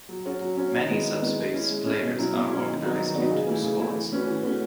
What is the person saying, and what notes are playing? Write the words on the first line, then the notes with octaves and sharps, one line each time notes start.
Many "SubSpace" players are organized into squads.
F#3
C#4 F#4 C#5
F#3
C#4 F#4 C#5
D#3
G#3 B3 E4
D#3
G#3 B3 E4
G#3
C#4 E4
G#3
C#4 E4
B2
F#3 C#4 E4
B2
F#3 C#4 E4
D#3
F#3 B3 D#4 F#4
D#3
F#3 B3 D#4 F#4
C#3
E3 A3 E4
C#3
E3 A3 E4
E3
A3 C#4 F#4 B4
E3
A3 C#4 F#4 B4